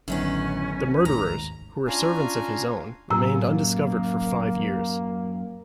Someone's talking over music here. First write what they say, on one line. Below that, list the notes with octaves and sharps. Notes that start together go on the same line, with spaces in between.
The murderers, who were servants of his own, remained undiscovered for five years.
A1 F#2 D3 D#3 B3 C#4
D#2 G#2 A#5
C#4 D4 F4 F5 G#5 A#5
F#2 A2 A#3 A#5 E6